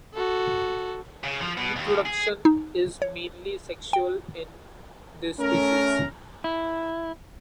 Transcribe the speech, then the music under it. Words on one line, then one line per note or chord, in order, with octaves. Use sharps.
Reproduction is mainly sexual in this species.
F#4 A4
C#3
F3
B2
D#2
G#4
D#4
C#5
G5
A3 C#4 A#4
E4